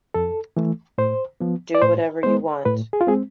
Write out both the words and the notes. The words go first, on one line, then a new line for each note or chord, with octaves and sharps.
Do whatever you want.
F2 A4
E3 A3
A2 C5
F3 B3
D5
A2 C5
G#3 B3 C5
A2 B4
G#4
F4
G#3 C4 G#4